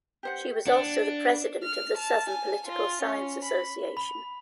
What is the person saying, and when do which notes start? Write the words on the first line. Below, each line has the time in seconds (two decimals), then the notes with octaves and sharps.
She was also the President of the Southern Political Science Association.
0.23 G4 C5 F#5
0.67 D4 F#5
1.63 F6
1.97 A5
2.29 G#5
2.68 F4
3.02 C#4
3.44 B5
3.97 B5